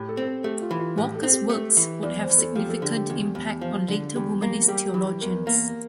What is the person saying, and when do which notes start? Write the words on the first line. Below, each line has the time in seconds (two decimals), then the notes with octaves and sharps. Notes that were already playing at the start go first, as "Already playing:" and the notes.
Walker's works would have significant impact on later womanist theologians.
Already playing: A2 G4
0.09 A4
0.17 C4
0.26 A4
0.44 A3 G4
0.62 F4
0.71 E3
0.79 F4
0.97 A2 G4
1.15 A4
1.23 C4
1.32 G4
1.49 A3
1.77 E3
2.03 E2 D5
2.21 C5
2.30 E2
2.38 A4
2.55 F3 G4
2.69 A4
2.82 D3 G4
2.96 G4
3.10 E2
3.35 E2
3.61 F3
3.88 D3
4.15 E2 G4
4.42 A#3
4.68 G3 G4
4.94 E3
5.21 E2 A#4
5.47 A#3